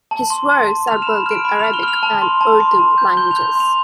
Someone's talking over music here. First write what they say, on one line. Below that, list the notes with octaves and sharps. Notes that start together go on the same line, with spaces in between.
His works are both in Arabic and Urdu languages.
A5
C6
A5
A5
F6 F7
E7
B5
E7
F6 D7
B5
F7
F6
G7
F6 F7
A5
C6
A5
C6
A5
G6
G6 G7
F7
G6
C6
F7